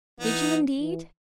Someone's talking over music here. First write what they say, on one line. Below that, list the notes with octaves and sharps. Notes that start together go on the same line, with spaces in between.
"Did you indeed?"
E3 B3 D#4
E3